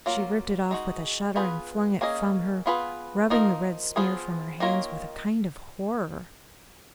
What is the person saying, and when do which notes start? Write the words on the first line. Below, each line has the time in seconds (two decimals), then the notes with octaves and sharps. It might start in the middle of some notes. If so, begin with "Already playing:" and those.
She ripped it off with a shudder and flung it from her, rubbing the red smear from her hands with a kind of horror.
0.06 F#3 A#3 F4
0.71 G#3 D#4 F#4
1.36 B3 F4 G#4 B4
2.01 A#3 C#4 G#4 D#5
2.66 B3 F4 G#4 B4
3.30 F3 A#3 D#4 A#4
3.96 F3 B3 F4 G#4
4.60 D#3 A#3 F4 A#4 C#5